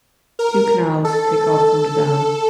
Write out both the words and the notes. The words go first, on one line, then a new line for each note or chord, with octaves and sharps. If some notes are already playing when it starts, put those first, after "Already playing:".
Two canals take off from the dam.
A#4
A4